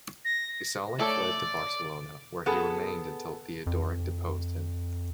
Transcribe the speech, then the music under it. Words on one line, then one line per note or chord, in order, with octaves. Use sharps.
Gesalec fled to Barcelona, where he remained until Theodoric deposed him.
A#6
A3 A4 C#5 D5
B3 G#4 A4
F2